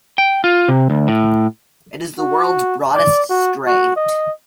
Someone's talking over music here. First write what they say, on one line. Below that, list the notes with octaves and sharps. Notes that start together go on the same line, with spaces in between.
It is the world's broadest strait.
G5
F4
C3
D2
A2
F#4
D5
F#4
F#4
D#5